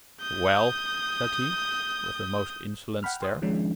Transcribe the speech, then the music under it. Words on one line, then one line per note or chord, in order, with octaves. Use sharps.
"Well?" said he, with a most insolent stare.
D#6 G6
F#5 G5 B5 F6
G5 C6 D#6
D#3 F3 G#3 C#4 D4